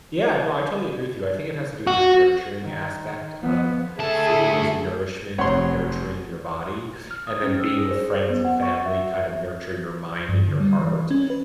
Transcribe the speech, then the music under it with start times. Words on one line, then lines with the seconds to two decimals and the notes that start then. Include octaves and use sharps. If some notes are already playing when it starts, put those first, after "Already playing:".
Yeah, no, I totally agree with you. I think it has to do with the nurturing aspect of food is nourishment and nurturing your body, and then being with friends and family kind of nurture your mind and your heart,
1.87 F#4
2.62 D#3
3.41 F3 B3
3.99 D2 G#4 A4 E5 A5
5.38 F1 C4 C#5 F#5 C6
7.11 F6
7.27 D#6
7.43 C#4
7.59 E6
7.78 G#4
7.91 C5
8.15 C5
8.30 B3
8.45 F#5
8.62 C#6
8.86 E5
9.13 E5
10.29 G2
10.48 D3
10.60 G3
10.79 E3
11.11 C#4
11.30 B4